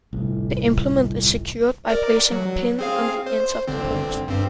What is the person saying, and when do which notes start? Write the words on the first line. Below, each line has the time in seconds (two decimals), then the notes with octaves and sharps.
The implement is secured by placing a pin on the ends of the posts.
0.13 G1 C2 A2
1.89 A#4 D5
2.32 F#3
2.79 C4 G#4 F5
3.26 C5
3.68 G1 D3 C4
4.28 G2 C4